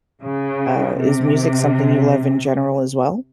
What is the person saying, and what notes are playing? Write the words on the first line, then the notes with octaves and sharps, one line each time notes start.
uh, is music something you love in general as well?
C#3
C3